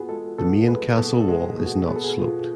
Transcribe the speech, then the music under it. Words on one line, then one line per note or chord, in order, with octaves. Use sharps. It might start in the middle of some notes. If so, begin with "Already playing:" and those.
The main castle wall is not sloped.
Already playing: B3 F4 F#4 G#4
G#3 A4
B2 A4
G#3 B4
B2 A4
A4
G#3
G#4
B2
F#4
B3 G#4
A4
G#4
B2 F4